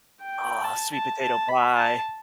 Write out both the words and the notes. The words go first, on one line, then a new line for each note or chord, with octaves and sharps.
Oh, sweet potato pie.
G5
A5
A5
A5
B5
A5